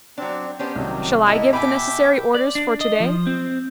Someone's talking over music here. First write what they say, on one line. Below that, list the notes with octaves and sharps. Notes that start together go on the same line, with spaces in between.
Shall I give the necessary orders for to-day?
F#3 C4 D4
B3 C#4 D4 G4 C5
C2 D#3 F#3
A2 A#3 E4 D#5
B2 E5 G5 G#5 B5 D6
D5
D4
D#5
F3
C4